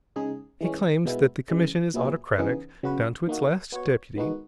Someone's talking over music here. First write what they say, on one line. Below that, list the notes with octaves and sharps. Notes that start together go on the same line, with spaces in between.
He claims that the commission is autocratic, down to its last deputy.
C#3 G#3 D#4 G#4
E3 G#3 C#4
B2 G#3 B3 E4
C#3 E3 G#3
A#2 F#3 B3 E4 G#4
C#3 E3 B3 D#4 G#4
C#3 F#3 B3 F#4 B4
D#3 A#3 D#4 F#4
B3 F#4 C#5
D#3 G#3 B3 D#4 F#4